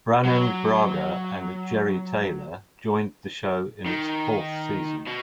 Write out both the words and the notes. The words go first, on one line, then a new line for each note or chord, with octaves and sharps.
Brannon Braga and Jeri Taylor joined the show in its fourth season.
F#3
D#3
B2